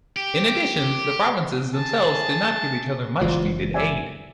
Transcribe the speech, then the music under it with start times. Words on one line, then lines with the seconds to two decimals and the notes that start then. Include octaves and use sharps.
In addition, the provinces themselves did not give each other much-needed aid.
0.16 G4
1.76 G#4 A5
3.21 F#1 E3 G#3 F4 C5 D5
3.74 D5 E5 G#5